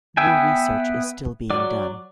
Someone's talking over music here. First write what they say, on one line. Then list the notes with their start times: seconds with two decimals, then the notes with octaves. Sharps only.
More research is still being done.
0.17 B3 E5 G5 G#5
1.50 F#3 D5